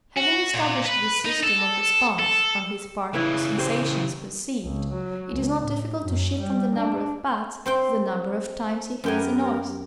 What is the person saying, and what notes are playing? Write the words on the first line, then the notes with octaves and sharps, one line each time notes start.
Having established this system of response on his part to sensations perceived, it is not difficult to shift from the number of pats to the number of times he hears a noise.
F#4
A#2
B4
D#4
A4
A4
C#3 E3 E4 B4
G4 C5
C#2
F#3
C#2
A2
F#2
G3
D4
C4 C5 G5
F#2 B3 G4 A#4 G5 G#5